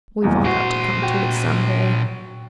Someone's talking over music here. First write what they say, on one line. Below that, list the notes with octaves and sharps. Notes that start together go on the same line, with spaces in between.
We've all got to come to it some day.
F#1 E2 G2
A#2 F#4 C5
F#4 G5